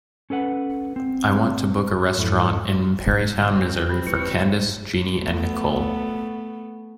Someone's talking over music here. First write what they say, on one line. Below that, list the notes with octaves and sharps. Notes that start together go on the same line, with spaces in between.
I want to book a restaurantin Perrytown Missouri for candice, jeannie and nichole.
C#4 A4 B4 F#5
C4
F2 G#2 E4 A4
B2 D3 G3
C4
G4 C5 B5
F#1 F#2 G#3 E4 G4 B4 C#6
A3 B3